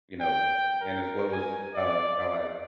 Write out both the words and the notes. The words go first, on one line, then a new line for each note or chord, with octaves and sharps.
You know, and as well as, um, how I
G5
A#4
G#5
D5